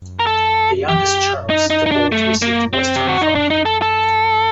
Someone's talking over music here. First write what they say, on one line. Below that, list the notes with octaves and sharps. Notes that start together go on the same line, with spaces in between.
The youngest, Charles the Bald, received western Francia.
A#4
A4
G4
D#4
D#4
D#4
D4
A3
A#3
C4
G4
F#4
D#4
D4
D#4
A4
A4